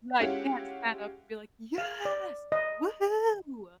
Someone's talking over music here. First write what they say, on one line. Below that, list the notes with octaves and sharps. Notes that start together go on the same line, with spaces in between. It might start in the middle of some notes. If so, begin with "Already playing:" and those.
No, you can't stand up and be like, "Yes! Woo hoo!"
G#3 C#4 E4 F4 G4 F#5
F5
D5
D#5